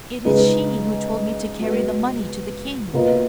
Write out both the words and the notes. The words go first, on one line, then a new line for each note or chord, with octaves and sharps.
"It is she who told me to carry the money to the king."
C#3 G#3 D#4 G#4 B4
G#3 B3 F#4
B2 A#3 F4 B4 D#5